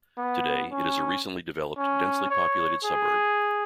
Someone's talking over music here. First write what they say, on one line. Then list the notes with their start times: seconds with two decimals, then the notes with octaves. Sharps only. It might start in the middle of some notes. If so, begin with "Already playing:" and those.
Today, it is a recently developed, densely populated suburb.
0.18 B3
0.72 C#4
1.77 C#4
2.30 C#5
2.84 G#4